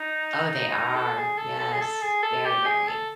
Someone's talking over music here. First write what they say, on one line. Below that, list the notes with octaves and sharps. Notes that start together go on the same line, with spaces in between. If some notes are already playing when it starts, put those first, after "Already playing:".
Oh, they are. Yes. Very, very.
Already playing: D#4
A4
G#4
A4
A4
G#4
A4
G#4
A4
G4
G#4
A4